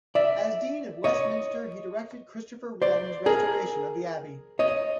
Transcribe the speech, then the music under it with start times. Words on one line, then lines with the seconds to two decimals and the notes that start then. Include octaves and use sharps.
As dean of Westminster he directed Christopher Wren's restoration of the abbey.
0.15 D5 E5
1.04 C#5 D#5
2.82 C5 D5
3.26 G#4 A#4
4.59 C#5 D#5